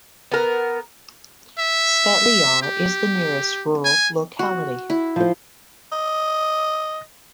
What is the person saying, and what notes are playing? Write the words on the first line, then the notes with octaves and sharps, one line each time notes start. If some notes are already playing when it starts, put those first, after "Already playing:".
Svetly Yar is the nearest rural locality.
B3 A#4
E5
G4
G#5
F#4
E4
F3 C5
D#5